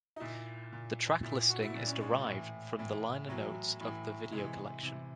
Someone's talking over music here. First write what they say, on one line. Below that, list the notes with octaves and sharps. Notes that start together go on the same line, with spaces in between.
The track listing is derived from the liner notes of "The Video Collection".
D#4
A#2 E4
A#2
A#2 E4
F#4
E4
A#2 D4
C#4
G#3
A2 E3
A2 E3
A2 E3 F#3
A2 E3
C3 E3 G#3
C3 E3